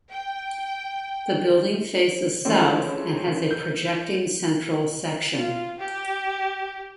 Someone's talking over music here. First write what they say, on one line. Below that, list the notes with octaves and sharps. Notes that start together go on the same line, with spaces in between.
The building faces south, and has a projecting central section.
G5
E3 F3 G#3 A3 C4 C#4
G6
F4
G4